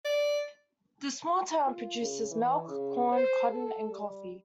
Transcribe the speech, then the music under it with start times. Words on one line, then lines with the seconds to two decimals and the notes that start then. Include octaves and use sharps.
The small town produces milk, corn, cotton, and coffee.
0.05 D5
1.67 F4
2.01 C#3
2.31 E3
2.68 C#3
3.12 C5
3.49 A4
3.91 G3